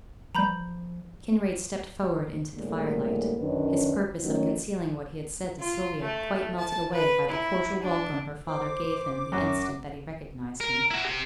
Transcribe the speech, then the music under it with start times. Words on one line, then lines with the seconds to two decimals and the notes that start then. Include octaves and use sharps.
Kinraid stepped forward into the firelight; his purpose of concealing what he had said to Sylvia quite melted away by the cordial welcome her father gave him the instant that he recognized him.
0.35 E3 F3 G3 A#5 B5 G6
2.56 A2 D3 G3 G#3 A#3
3.39 F#2 D3 D#3 C#4 D4 B4
4.23 D#3 F3 F#3 A3 C#4 D#4
5.60 F4
6.03 A3
6.58 A5
6.92 B4
7.29 E4
7.82 D4
8.48 C5 D6
9.32 F#2 F#4
10.60 A#4
10.91 E4 F#4
11.05 G4 C6